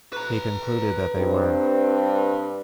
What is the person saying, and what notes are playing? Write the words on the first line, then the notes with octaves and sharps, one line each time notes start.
He concluded that they were.
B4 A#5
G2 C4